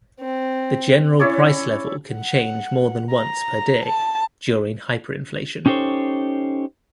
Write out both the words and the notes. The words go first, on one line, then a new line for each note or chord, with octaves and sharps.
The general price level can change more than once per day during hyperinflation.
C4
C#4 E4 C#5 D5
F#5
A#5
A5
C#4 D#4 G4 A4 C5 C#5